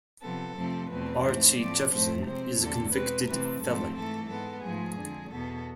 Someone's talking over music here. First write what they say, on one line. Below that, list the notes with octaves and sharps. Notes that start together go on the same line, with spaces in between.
Archie Jefferson is a convicted felon.
C3 F3 B3 A4
F2 C3 F3 A3 C4
E2 B2 A3 C4 B4
G#2 E3 A3 C4 C5
A2 F3 A3 C4 D5
A2 F3 A3 C4 C5
C3 G#3 C4 C5
E2 D3 A3 C4 A4
B2 G#3 C4 B4
C3 E3 A3 C4 B4
G#2 F3 A3 C4 A4
G#2 E3 A3 A4
G#2 G#3 B3 A4
G#2 F3 A3 G#4
F2 D3 G#3
E2 B2 B3 A4